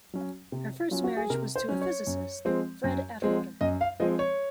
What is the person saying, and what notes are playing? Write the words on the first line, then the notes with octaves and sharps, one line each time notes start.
Her first marriage was to a physicist, Fred Atwater.
F#3 C#4
C3
F#3 C#4 F4
F#4
G#4
C3 A#4
C5
F#3 C#4
C#5
F#2
F3 G#3 C4
F#2
F3 G#3 C4
F#2 D#5
F5
F3 G#3 C4 D#5
C#5